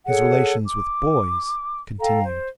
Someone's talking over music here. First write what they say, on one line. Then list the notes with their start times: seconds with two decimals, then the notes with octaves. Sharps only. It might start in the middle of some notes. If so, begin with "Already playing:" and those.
His relations with boys continued.
0.07 G#4 A4 C#5 F#5
0.66 D6
2.00 A4 F5 G5 A#5
2.23 C5